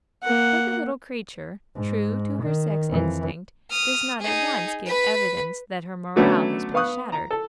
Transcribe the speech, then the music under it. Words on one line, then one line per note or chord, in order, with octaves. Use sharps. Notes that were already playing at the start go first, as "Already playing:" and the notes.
But the little creature, true to her sex-instinct, does not at once give evidence that her morale has been shattered.
A#3 F#5
G#2
D#3
F2 E3
D#6 F6
D#4 G#4
B4 B5
D3 F#3 A3 B3 C#4
B3 F5 C#6 D#6 F#6
A#5
A4